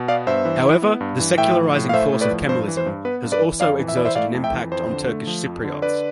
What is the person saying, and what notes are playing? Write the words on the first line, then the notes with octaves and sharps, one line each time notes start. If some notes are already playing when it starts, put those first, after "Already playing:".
However, the secularizing force of Kemalism has also exerted an impact on Turkish Cypriots.
Already playing: B2
B3 D5 F5
G2 C5 E5
E3
E4
B3
G2
E3
A2 E5 G5
F3
A2
F5
A3 C5 E5
A2
B4 D5
F3
G2 C5
E3
C5
G2
B3 B4
G2
B4 D5
E3
F2 D5 F5
E3
E5
E4 D5
C5 E5
A3 D5 F5
F2
E5 G5
E3
F2 C5
D3
A3
F3
F2
D3
D3 B4 D5